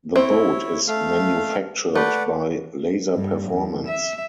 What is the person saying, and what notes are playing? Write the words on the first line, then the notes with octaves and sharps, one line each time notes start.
The boat is manufactured by Laser Performance.
C4 E4 C#5
A3 F5
A3 B4 D5 F#5
G2
E2
E5